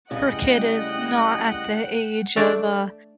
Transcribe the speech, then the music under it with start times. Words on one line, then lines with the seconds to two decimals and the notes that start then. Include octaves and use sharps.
her kid is not at the age of, uh,
0.11 C#3 G3 A3 E4 D#5 F#5 G5 F#6
2.36 A3 D4 D5